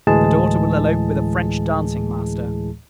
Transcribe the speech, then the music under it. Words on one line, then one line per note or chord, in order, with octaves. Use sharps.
The daughter will elope with a French dancing-master.
D2 A2 E3 G#3 G#4 A5